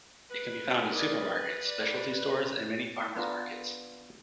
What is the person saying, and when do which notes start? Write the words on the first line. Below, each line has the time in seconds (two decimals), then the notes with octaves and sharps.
It can be found in supermarkets, specialty stores and many farmers' markets.
0.31 B4
0.88 G#4 A#4 D5
1.66 D5
3.16 B3 D4 F4 B4 A#5